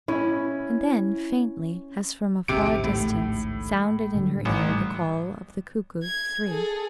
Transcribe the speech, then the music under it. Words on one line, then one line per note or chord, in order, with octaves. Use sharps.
And then faintly, as from a far distance, sounded in her ear the call of the cuckoo--three.
C#4 E4
A1 D2 G#2 C3 D7
A2
A2 D3 G3
A1 D#3
G3
G#6
G#4 A4